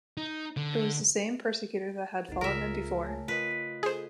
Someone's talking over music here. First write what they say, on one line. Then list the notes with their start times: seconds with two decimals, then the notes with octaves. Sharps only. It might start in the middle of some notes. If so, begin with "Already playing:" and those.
It was the same persecutor that had followed him before.
0.17 D#4
0.57 D3
2.29 G1 C#2 D#4 A6
2.41 C#2 C#3 F4 G#4 A#4 E5
3.05 A3 C#5 G#5
3.28 F4 A#4 B4 D#5
3.83 G#4 A4 C5